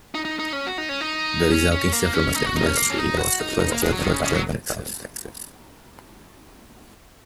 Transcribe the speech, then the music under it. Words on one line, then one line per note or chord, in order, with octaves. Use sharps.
The resulting settlement, Industry, was the first German town in Texas.
D#4
D#4
D#4
C#4
F#4
D#4
C#4
D#4
C#4
C#4
A#3
C#4
D#4
F#4
D#4
C#4
A#3
C#4
D#4
F#4
D#4
D#4
A#3
G#3
F#3
D#3
C#3
C#3
F#3